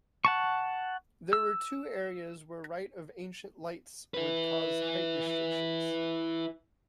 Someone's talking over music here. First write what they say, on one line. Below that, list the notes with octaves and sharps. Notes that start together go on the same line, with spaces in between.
There were two areas where right of ancient lights would cause height restrictions.
F#5 A5 C#6
E6
E4 B4